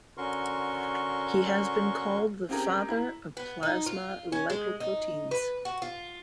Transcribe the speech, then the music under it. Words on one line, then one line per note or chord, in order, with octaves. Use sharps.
He has been called the father of plasma lipoproteins.
D3 C#4 F#4 A#4 C6 C#6
C4 C#4 G4 G#4 A#4
E4 A#5
B3
D#4
F4
C#4
G#3
D#4
B4
F#4
F4